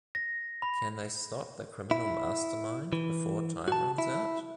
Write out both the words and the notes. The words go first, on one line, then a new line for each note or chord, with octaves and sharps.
Can they stop the criminal mastermind before time runs out?
A#6
B5
E4
E3
F#4 A5
E4